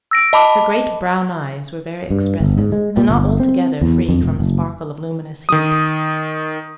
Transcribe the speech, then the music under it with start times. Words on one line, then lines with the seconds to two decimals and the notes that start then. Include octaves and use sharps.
Her great brown eyes were very expressive and not altogether free from a sparkle of luminous heat.
0.11 E6 A#6 D7
0.33 D#5 A5 B5 D6
2.10 G2
2.40 G1
2.58 G#2
2.72 G#3
2.97 A#2
3.09 G1
3.40 C4
3.82 E2
4.09 F2
4.23 F1
4.40 F#1
5.49 D#3 D#6